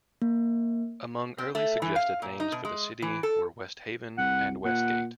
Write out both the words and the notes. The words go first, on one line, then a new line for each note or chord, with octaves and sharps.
Among early suggested names for the city were West Haven and West Gate.
A#3
C4
A3
E3
F5
A#2
D#4
B2
G#3
E3
A4
C2 F#5
A#2 F#5